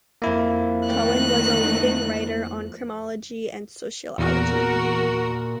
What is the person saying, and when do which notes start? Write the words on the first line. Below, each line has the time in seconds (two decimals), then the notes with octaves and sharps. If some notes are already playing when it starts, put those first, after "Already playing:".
Cohen was a leading writer on Criminology and Sociology.
0.22 F2 A#3 E4 G#5 A#6
0.88 D#3 A3 D#4 D5 G5 F#6
4.18 E2 A#2 F#4 A#4